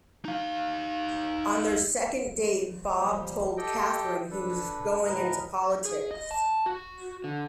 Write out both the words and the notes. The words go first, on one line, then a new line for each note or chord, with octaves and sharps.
On their second date Bob told Catherine he was going into politics.
D#4 F5
A#2 F3 G3
G4 A4 D#5 G5
D4 A4 B4
D2 A2 A#4 B4 D#5 A#5
G#4
D#5
A5
F#4
D3